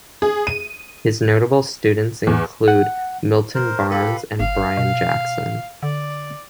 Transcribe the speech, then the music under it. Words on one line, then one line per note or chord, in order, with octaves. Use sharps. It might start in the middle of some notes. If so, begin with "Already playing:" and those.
His notable students include Milton Barnes and Brian Jackson.
G#4
D#7
E2
F#5
A#4 C5
F4 G4 A4 B4
G1 F5
B2
D3 D5